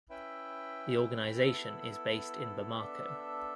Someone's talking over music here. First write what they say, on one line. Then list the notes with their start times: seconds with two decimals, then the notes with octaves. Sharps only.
The organization is based in Bamako.
0.10 C#4 E4 B4 E5 G5
1.43 B3 E4 A4
2.77 B3 D4 A4 E5